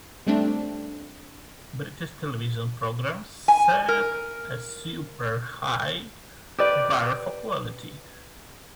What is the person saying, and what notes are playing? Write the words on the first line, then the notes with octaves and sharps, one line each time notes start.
British television programs set a super high bar for quality.
G3 A3 C4 D4
G#5
A#4
G4 B4 D5